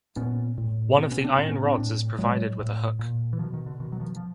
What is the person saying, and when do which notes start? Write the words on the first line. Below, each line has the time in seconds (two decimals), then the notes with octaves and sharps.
One of the iron rods is provided with a hook.
0.16 A#2 B3 C#4
0.58 A2
0.97 B2 B3 C#4
1.11 B3 C#4
1.24 C4 D4
1.38 A2 B3 C#4
1.51 B3 C#4
1.64 C4 D4
1.78 A2
2.18 A2 F#3 G#3
2.59 A2
2.99 A#2
3.33 E3
3.39 B2 D#3 F3
3.54 D#3
3.66 D3
3.80 B2 D#3
3.92 F#3
4.00 D#3 F3
4.16 F3